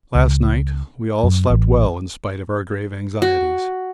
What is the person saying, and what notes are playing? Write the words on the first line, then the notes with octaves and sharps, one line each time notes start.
Last night we all slept well in spite of our grave anxieties.
C#2
F#2
A1
F#4